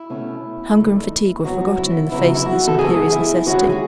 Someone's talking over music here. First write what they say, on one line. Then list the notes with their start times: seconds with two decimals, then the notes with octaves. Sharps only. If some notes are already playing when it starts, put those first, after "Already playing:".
Hunger and fatigue were forgotten in the face of this imperious necessity.
Already playing: E4
0.10 B2 A3 C#4
0.77 E2 D#3 A3
1.44 G#2 F#3 B3 F#4
1.78 E4
2.12 C#3 F#3 B3 E4
2.35 E4
2.46 F#4
2.67 A4
2.79 G#2 E3 B3 G#4
3.12 E4
3.46 D#2 D#3 G#3 C#4 F#4
3.64 G#4